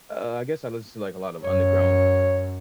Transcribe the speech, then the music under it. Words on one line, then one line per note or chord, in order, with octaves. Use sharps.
Uh, I guess I listen to, like, a lot of underground
F#2 C#5